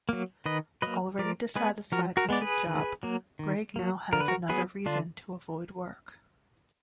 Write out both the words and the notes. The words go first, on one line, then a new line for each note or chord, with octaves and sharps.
Already dissatisfied with his job, Greg now has another reason to avoid work.
F#3 A#3
D#3 B4 D#5
F#3 A#3 B4 D#5
F3 A#4 D5
G#3 B3 G#4 B4
F3 F#4 A#4
F#4 A#4
G#3 B3 D5
G#4 B4
D#3
F#3 A#3
D#3
F#3 A#3
D3 A#4
B4
F#4 A#4
F#3 B3 G#4 B4
D3 D4 F4